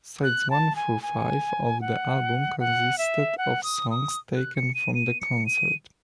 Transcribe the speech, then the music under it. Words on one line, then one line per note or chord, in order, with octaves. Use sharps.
Sides one through five of the album consisted of songs taken from the concert.
F#6
A5
G#5
G#5
F#5
F#5
E5
F#5
D#6
D#6
F#6
C#7
D#7
D#7
C#7
D#7